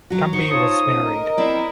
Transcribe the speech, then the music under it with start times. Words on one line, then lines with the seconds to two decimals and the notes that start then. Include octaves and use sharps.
Cumby was married.
0.10 F#3 F#4
0.33 D#4 C5 C#6
0.50 F4 C#5 A5 D#6
0.82 C#3 F3 A3
1.02 A#4 D#5
1.37 C4 E4 D5